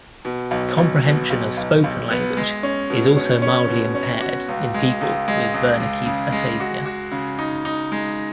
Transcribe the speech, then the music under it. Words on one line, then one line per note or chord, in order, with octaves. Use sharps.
Comprehension of spoken language is also mildly impaired in people with Wernicke's aphasia.
B2
B1
B1
B2
B1
B1
B1
B3
G#3
C#4
B2
C#4
C#4
B2
C#4
F#4
C#2
G#3
C#2
G#3
C#2
C#2
C#3
G#3
F#4
F#4
C#3
D#4
D#4
G#3